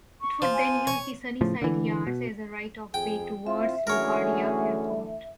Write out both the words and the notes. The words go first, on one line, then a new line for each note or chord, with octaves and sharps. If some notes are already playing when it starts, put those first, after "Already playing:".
It would then use the Sunnyside Yards as a right-of-way towards LaGuardia Airport.
C#6
F3
G#5
C#5
A2 C#3 F3
D3 E3
B2
F2 G#4 G5
C4 E4 F4 E5
D3 E3 A3 C#4 F#4 G#4 A#4 C#5